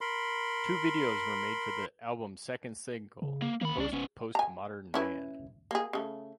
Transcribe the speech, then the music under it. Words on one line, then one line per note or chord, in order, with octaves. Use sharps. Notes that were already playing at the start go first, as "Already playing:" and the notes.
Two videos were made for the album's second single, "Post Post-Modern Man".
A#4 B5 C6
C#3
A#3
D#3 A#3 B5
C2 C#4 D5
E1 B3 C#4
G#5 A#5
C#4 E4 B4
A#3 G#4
C#3 A3